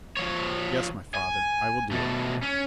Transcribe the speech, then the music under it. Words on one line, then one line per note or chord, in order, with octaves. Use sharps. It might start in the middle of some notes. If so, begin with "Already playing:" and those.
"Yes, my father, I will do it."
F3 C#5
G#5
B2 A3
C#4